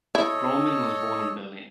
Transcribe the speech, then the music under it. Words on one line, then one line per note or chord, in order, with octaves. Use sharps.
Grolman was born in Berlin.
E4 A4 C#5 D#5